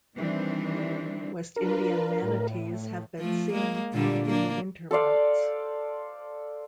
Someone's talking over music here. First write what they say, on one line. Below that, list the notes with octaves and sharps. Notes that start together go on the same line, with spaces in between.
West Indian manatees have been seen in the winter months.
D#3 E3 G3 C4 D4
D4 F4 A#4 B4
A2
F3 A3
G#3 A#3
A#2 D3 G3
A#3 D4
A4 C5 D5 F5